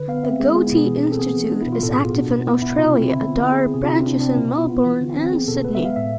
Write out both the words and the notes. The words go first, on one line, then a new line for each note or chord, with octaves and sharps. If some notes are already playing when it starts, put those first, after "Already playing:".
The Goethe-Institut is active in Australia, there are branches in Melbourne and Sydney.
Already playing: D3 B4
B3 F5
C4 E5
G#3 G#4
B3 G#4
E4
B2 G#4
E3
C4
A4
B3 G#4
E3
B3 D4
E4
B2
F4
A2 A4
G#4
B3 F4
B2 D4
B3
B3 E4
B2 E4
C3 F4
C4 E4
D3 E4
B3
D3 E4
G#4
C4
C3 G#4
F4
C4
E4
C3 D4
C4 D4
B2 E4
E4
B3 F4
B3
E3
D3
C4
B3 G#4
B2 A4
B3 B4
E5
G#3 F5
A2 E5